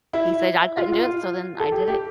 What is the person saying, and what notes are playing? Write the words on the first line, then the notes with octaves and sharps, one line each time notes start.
He said I couldn't do it, so then I did it.
E4
F4
F4
A4
G4
G4